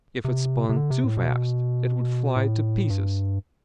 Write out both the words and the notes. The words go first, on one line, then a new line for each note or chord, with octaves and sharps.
If it spun too fast it would fly to pieces.
C3
C3
D3
C3
A2
B2
A2
G2